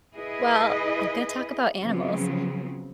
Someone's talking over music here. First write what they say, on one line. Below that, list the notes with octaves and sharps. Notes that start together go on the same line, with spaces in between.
Well, I'm gonna talk about animals.
E4 G#4 B4 D#5
C#3 F3 F#3 B3 C4